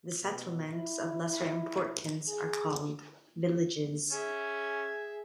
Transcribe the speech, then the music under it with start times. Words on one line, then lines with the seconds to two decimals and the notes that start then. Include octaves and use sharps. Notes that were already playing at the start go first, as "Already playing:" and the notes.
The settlements of lesser importance are called "villages".
0.22 B2
0.74 E4
2.28 G#4
4.12 C#4 G#4 E5 G#6